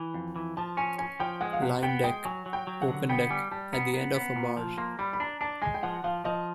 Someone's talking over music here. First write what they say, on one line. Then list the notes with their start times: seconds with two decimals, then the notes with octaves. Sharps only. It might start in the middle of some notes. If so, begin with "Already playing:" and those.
Line Deck- Open deck at the end of a barge.
Already playing: E3
0.14 F2
0.36 E3
0.57 F3 A5
0.77 C#4 G#5
0.98 C#4 G#5
1.20 F3 G5
1.41 G#3 F#5
1.53 F5
1.62 C3 F#5
1.83 B3 G5
2.04 G#3 G5
2.25 F#3 G#5
2.46 F#3
2.53 G5
2.67 F#3
2.82 F#5
2.88 D3
3.09 B3 G5
3.30 G3 G#5
3.52 G3 A5
3.73 B3 A#5
3.94 B3
4.14 B3
4.36 A#2
4.57 F3
4.77 A#3 C6
4.99 G3 B5
5.13 B5
5.20 D4 A#5
5.41 D4 A5
5.62 G#3 G#5
5.74 G5
5.83 F3 F#5
6.04 F3 F5
6.25 F3 D#5